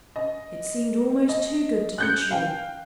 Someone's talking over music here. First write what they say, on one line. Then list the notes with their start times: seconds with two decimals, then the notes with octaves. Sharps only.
It seemed almost too good to be true.
0.16 D#5
1.29 D#5
1.98 F#6 G6 C#7
2.31 F5 G5